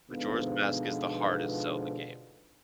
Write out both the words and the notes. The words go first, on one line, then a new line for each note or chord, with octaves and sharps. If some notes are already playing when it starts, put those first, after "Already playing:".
Majora's Mask is the hardest Zelda game.
G#2 B2 D3 F3 B3 F4